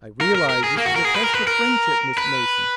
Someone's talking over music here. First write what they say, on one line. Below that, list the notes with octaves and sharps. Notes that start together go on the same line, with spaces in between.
I realize this is a test of friendship, Miss Mason.
A#4
A#4
A#4
G#4
A#3
F#4
A#4
G#4
B4
A#4
B4
A#4
B4